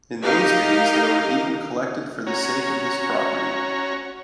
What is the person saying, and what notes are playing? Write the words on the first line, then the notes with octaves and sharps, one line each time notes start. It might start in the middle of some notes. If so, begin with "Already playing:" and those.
In those days they were even collected for the sake of this property.
D#4 G4 A#4 D#5 F5
C#4 F#4 C#5 A#5